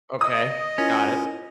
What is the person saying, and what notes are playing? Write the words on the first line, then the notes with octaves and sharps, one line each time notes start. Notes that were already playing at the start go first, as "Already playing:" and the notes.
Okay, got it.
D#5 D#6
C#4 E4 F4 A#4